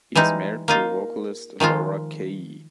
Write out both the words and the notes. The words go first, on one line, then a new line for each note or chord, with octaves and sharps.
He is married to vocalist Laura Kaye.
E3 G3 G#3 D#4
A#3 D#4 F4
D#3 F3 G#3 F4